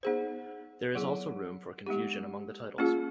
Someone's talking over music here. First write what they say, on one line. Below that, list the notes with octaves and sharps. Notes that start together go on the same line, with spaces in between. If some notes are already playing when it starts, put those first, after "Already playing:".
There is also room for confusion among the titles.
B3 D#4 G#4 C5
F#3 B3 E4 G#4
G#3 B3 D#4 G4
A#3 C#4 F4 G#4